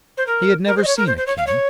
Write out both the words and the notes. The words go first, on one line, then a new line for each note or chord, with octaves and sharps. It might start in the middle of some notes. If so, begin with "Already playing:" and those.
He had never seen a king.
C5
A#4
A#4
C5
D#5
C#5
A#4
C5
C5
C#5
F5
C#5